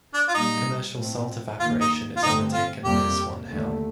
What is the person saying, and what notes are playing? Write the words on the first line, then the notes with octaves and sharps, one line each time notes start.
Commercial salt evaporation is undertaken near Swan Hill.
D4
F4
A#2 G3 A#3 D#4
A2 A3 C4
D#2 D#3 A#3 F4
D#4
F4
G2 D3 A3 C4 D#4
F4
F2 C3 G3 A#3 G4
D#2 D3 A3